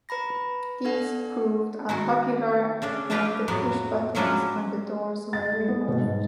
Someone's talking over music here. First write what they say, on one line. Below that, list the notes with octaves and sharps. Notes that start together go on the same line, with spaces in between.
These proved unpopular and the push-buttons on the doors were removed.
B4 A#5 B5 A#6
B3 D4 A4 F#5
D#3 E4 F#4
C#3 A3 D4
A3 D4 E4 G4 B4 F5
F2 A2 F#3 B3
F3 F#3 C#4 D4 E4 F4
A6
A3
B3
B2
G#2